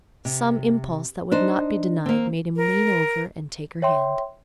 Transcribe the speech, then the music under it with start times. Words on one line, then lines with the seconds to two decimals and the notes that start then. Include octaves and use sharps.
Some impulse that would not be denied made him lean over and take her hand.
0.25 C3
1.32 D4 D#4 C5
2.06 A#3 C4
2.56 A#4
3.82 C#5 E5 G5 C6